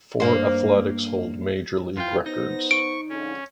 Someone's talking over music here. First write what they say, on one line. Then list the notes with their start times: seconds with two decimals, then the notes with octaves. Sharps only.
Four Athletics hold Major League records.
0.20 G2 A#3 C5
1.97 F2 E3 F3 F4 G5
2.26 B3 D#4 C5 A#6
2.71 C#6 D7
3.09 F2 G#2 D3 C#4